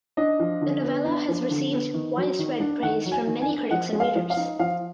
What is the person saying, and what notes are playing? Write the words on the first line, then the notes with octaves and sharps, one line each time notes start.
The novella has received widespread praise from many critics and readers.
D4 D#5
F3
D3
B3
D4
F3
D3
B3
D#3
F#3
D#3
D4
D#3 F#5
F#3
G#5
D#3
G#5
D4
F3 F#5
G#3
F5
F3
F5
D#4
F3 F5